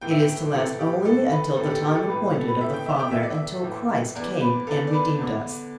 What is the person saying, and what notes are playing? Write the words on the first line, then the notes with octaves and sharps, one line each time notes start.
It is to last only until "the time appointed of the father," until Christ came and redeemed us.
A2 E3 G5
E5
G5
A2 E3 A4
G4
A2 E3 A4
B4
A2 E3 A4
G4
A4
G4
A4
A2 E3 B4
A4
B4
A2 E3 E5
G5
E5
G5
A2 E3 E5
D5
E5
A2 E3
E2 E3 D5
B4
E2 E3 A4
D5
B4
E2 D3